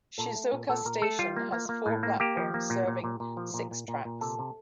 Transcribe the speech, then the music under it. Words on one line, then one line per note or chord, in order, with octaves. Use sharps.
Shizuoka Station has four platforms serving six tracks.
A#2 A4
A3
A#2
A#2 A4
A#2 A#4
A3 A4
G3 F4
A#3
A#3
A#3
A2
A#3
A#3 G4
F3
A#3
A#2
A#2
A#2
A#2
F3
A#2
A#2
A#2
A#2
C3 A4
C3